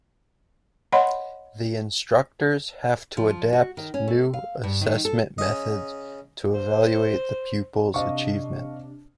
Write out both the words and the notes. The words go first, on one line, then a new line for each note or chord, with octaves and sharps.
The instructors have to adapt new assessment methods to evaluate the pupils' achievement.
C#5 D#5 F#5 B5 C6
F3
F#4
D#3
C#4
A3
F5
G2
D#3
A4
C#3 D#5
C5
C3 D4 D#5 F5 C#6